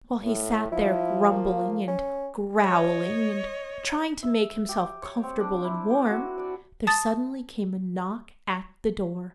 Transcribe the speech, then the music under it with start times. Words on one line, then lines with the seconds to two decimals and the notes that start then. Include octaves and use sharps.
While he sat there grumbling and growling and trying to make himself comfortable and warm, there suddenly came a knock at the door.
0.24 A2
0.72 F3 E4
1.32 A#3
1.88 C#4
2.61 C#5 D#5
4.23 E5
4.69 G4
5.03 C#5
5.23 C4
5.40 D4
5.64 E4
5.90 G4
6.09 F#4
6.38 D5
6.87 A5 D#6 A6